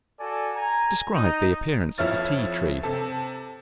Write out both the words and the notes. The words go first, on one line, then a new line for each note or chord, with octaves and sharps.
Describe the appearance of the Tea-tree.
F#4 A4 D5 G#5
G#5 A#5
D#4
F2 F3 E4 C#5 F6 A6
C3 A4